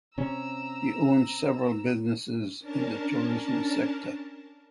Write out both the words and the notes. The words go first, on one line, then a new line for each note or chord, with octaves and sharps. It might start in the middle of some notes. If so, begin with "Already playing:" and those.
He owns several businesses in the tourism sector.
C3 C#4 A#5 E6
C#4 D4 A#4 A5